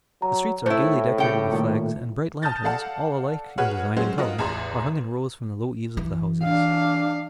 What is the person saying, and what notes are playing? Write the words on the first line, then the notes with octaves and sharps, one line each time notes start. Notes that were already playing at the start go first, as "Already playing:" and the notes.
The streets are gayly decorated with flags, and bright lanterns--all alike in design and color--are hung in rows from the low eaves of the houses.
F#3 A#5
A2 A3 E4 C5
C#3 G3 G5 C#7
A#2 D#3 A3
A5 D#6 F6 G6 A6 A#6
A4 D5 F5 F#5 A5
F#4 G#4 B4 C#5 F#5 F6
F#3 G#3 C#4 C5
F4 F#4 A#4 D#5 F#5
A1 E2 G#4 A#5 C6
E3
D4 F5